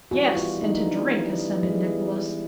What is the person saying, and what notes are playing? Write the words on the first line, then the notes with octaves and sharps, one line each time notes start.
"Yes, and to drink," assented Nicholas.
E3 G3 B3 F#4
F4
D#4
D4
G#3